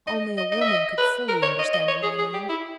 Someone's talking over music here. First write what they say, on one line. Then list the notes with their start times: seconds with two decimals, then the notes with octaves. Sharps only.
Only a woman could fully understand what I mean.
0.07 D#5
0.38 D#5
0.52 D#5
0.61 E5
0.68 D#5
0.98 B4
1.28 A#4
1.42 C#5
1.59 D#5
1.73 D#5
1.88 C#5
2.03 G#4
2.18 G#4
2.34 G4
2.49 E4